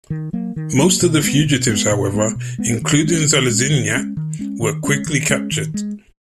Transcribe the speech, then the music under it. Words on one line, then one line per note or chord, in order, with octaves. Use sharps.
Most of the fugitives however, including Zaliznyak, were quickly captured.
D#3
F#3 A#3
D#3
F#3 A#3
B2
G#3 B3
B2
G#3 B3
B2
G#3 B3
B2
G#3 B3
D#3
G#3 C#4
D#3
G#3 C#4
D#3
G#3 C#4
D#3
G#3 C#4
D#3
G#3 C#4
D#3
G#3 C#4
D#3
G#3